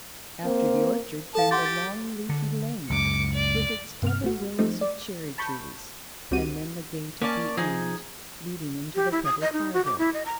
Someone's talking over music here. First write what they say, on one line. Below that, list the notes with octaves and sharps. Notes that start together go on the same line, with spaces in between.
After the orchard came the long leafy lane, with its double rows of cherry-trees, and then the gate at the end, leading into the public highway.
A#3 C4
A4 F5 A5
G4 F#5 C6 A6
A6
D3
C#2 F#2 D6 C#7
D5
G2 C3 F6
A1 A3 F#4
F3 G3 A3 C4 D#4
D5
A5 B5 C#6 G6
C#2 G3 C4 F#4 D#7
A#3 C#4 D5 A5
F3 D#4 G#4
G4
E4
D#6
D#5
D#4
F#4
D6
E4
D#5
A#5